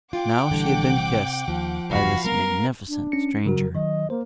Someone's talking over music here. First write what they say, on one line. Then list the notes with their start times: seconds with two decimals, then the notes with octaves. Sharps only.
Now she had been kissed by this magnificent stranger!
0.13 F4 F#5 G5 D6
0.51 A#1 D3 E3 G3
0.94 C3
1.48 D#2 F3
1.91 F#1 E2 F#4 F5 B5
2.24 G3 B3 A#4
2.88 D4
3.12 C#4 C#7
3.46 C#3 F#3 F#4 A#4
3.75 D#3 F#3 D#5
4.10 A#3 C5